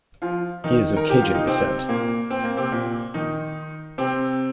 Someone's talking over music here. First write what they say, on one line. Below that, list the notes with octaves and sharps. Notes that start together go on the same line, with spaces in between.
He is of Cajun descent.
F3 F4
D#3 D#4
A#4
G4
F4
D#4
C3 C4
A#2 A#3
C4
A#3
C3 C4
A#2 A#3
D#3 D#4
C3 C4